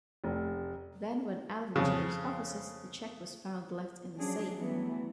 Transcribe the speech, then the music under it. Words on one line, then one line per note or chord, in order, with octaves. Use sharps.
Then when Allen changed offices, the check was found left in the safe.
F1
F2 C#3
F3 F#3 C#4 D4 G#4
E3 F#3 G3 A3 B3